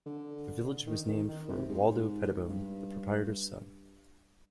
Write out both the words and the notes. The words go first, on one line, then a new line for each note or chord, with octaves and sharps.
The village was named for Waldo Pettibone, the proprietor's son.
D3
D#3
D#3
D#3
C3
G#2
G2